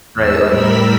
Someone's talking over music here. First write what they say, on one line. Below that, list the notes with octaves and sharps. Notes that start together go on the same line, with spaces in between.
right, like,
E2 E6
A2 G3 A#4 B5 E6 B6